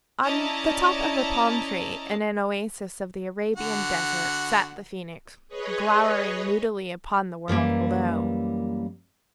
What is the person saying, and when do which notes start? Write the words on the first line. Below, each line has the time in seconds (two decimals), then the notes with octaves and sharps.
On the top of a palm tree, in an oasis of the Arabian desert, sat the Phoenix, glowering moodily upon the world below.
0.23 C#4 E4 D5 D#5 A5 A#5
3.56 D3 F#4 F#5
5.48 G#4 B4 C#5 D#5
7.48 F#2 E3 G3 A#3